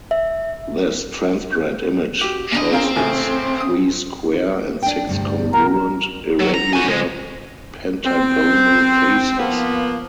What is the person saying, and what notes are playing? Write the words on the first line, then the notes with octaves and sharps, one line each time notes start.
This transparent image shows its three square, and six congruent irregular pentagonal faces.
E5
F#4 G4
A#2 D4 D#5
C4 C#4 G#4 A#4 F5
A1 C#3 A4 G#5
C#4 D#6
D4 G5
D2 G2 C3
B2 A#4
F#3
A#5
F#4 G#5
C#2 G#3
C4
F3 A#3 B3